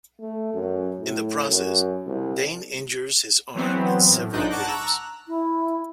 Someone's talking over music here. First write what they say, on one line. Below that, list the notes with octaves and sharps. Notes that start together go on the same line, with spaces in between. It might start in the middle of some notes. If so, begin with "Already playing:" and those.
In the process, Dain injures his arm and several ribs.
A3
F#2
A2
F#2
C2
E3 F#3 B3 C4
A2
B1 G#2 D4 D#4 F#6 G6
F#5 A5 C#6 D6 F#6 A#6
A#5 E6 F#6
E4